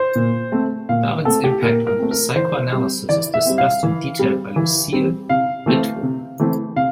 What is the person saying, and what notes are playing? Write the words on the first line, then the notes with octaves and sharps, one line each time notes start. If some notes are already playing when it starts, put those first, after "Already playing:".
Darwin's impact on psychoanalysis is discussed in detail by Lucille Ritvo.
Already playing: C5
A#2
A3 C4
A#2 F5
A3 C4 A4
G4
A#2 A#4
A#4
A3 C4
A#4
E3 C5
G3 C4
E3 D5
E5
G3 C4
F5
E3
G3 C4
E3
G3 C4
C3 F5
E3 A3 C4
C3
E3 A3 C4
C3 F5